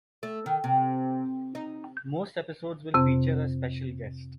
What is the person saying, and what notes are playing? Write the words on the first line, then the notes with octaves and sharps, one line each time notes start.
Most episodes will feature a special guest.
A3
D#3
C3
D#4
F2 C3 C4